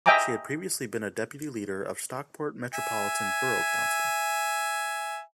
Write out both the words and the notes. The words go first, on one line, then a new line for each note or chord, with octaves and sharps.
She had previously been a deputy leader of Stockport Metropolitan Borough Council.
D#5 E5 G5 G#5 A#5 D6
E5 G#5